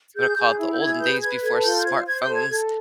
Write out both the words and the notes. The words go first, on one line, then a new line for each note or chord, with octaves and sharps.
was gonna call it the olden days before smartphones,
G#4 G6
G#4
E4
G6
G#4 G#6
B4 G6
B4 G#6
A4 G#6
F4 G6
G6
C5 G#6
C5 G#6
G6
A4
G#6
A4